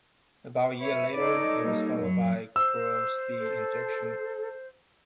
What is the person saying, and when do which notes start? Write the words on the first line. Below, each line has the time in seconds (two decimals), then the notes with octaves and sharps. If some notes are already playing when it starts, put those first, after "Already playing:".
About a year later, it was followed by "Grow-Speed Injection".
0.80 B4 C#5 E5
1.15 D#4 A4 C#5 D5
1.60 G3 A#3
2.00 F#2 F#3
2.56 C5 E6
3.40 A4